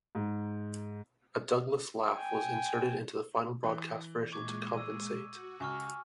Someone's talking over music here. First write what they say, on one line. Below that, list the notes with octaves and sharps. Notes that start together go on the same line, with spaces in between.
A Douglass laugh was inserted into the final broadcast version to compensate.
G#2
G5 G#5
E3
A#2 G#3 C#6 D6 G#6
E6 D#7
F#4
C#2 G#5 C#6 F6